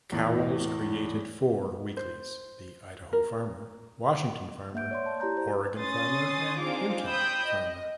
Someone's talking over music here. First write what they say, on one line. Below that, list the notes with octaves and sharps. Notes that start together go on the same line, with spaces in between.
Cowles created four weeklies, the "Idaho Farmer", "Washington Farmer", "Oregon Farmer" and "Utah Farmer".
E2 A2
C5
A#4
A#3 E5 F#5 G6 D7
C#5 D5 C6
A5
E4 G4 D5 A#5 G6
C5
C#4 C6 D#6 A6
C4 D4 D#4 F4 G#4 D6
C5 G5 B5 D#6 E6 G6
D#5